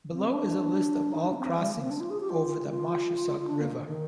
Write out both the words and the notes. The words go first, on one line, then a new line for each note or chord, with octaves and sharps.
Below is a list of all crossings over the Moshassuck River.
C4
D4
D#4
D4
A#3
C4
G3
G#3
A#3
C4
D4
F4
G#4
G4
F4
F4
D4
A#3
D3
D#3